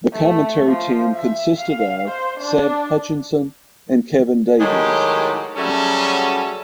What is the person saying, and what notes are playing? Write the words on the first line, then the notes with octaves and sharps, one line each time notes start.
The commentary team consisted of Seb Hutchinson and Kevin Davies.
A3
F3
E5
F5
C5
D4
A2 D#3 F#3 G#3 G4
C#3 F#3 G3 A3 C#4 A4